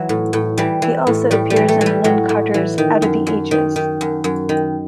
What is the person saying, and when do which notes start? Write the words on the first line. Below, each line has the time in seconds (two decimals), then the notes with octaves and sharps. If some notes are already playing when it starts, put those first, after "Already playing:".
He also appears in Lin Carter's "Out of the Ages".
Already playing: E3 F#3
0.09 A2
0.33 A2
0.58 E3 G3
0.82 E3
1.07 A2
1.31 A2 G3
1.50 G3
1.56 E3
1.68 A3
1.81 E3
1.86 G3
2.04 A2 F#3
2.29 A2
2.54 E3
2.78 D#3
3.02 F#2
3.27 F#2
3.51 D#3
3.76 D#3
4.01 F#2
4.24 F#2
4.49 D#3